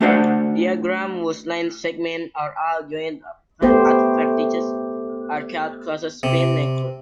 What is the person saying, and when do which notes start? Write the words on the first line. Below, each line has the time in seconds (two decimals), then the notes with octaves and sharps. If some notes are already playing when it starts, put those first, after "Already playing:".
Diagrams whose line segments are all joined at vertices are called "closed spin networks".
0.01 A3 D4 F#4 C5 D5 F#5
3.62 A3 B3 G4 C5
6.23 C3